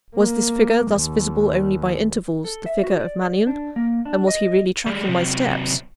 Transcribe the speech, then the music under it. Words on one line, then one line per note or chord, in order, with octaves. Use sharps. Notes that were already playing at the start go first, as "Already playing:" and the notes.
Was this figure, thus visible only by intervals, the figure of Mannion? and was he really tracking my steps?
A#3
D#2
A4
E5
F#4
D5
D4
A#3
D4
D#5
G3 G#3
C3 F#3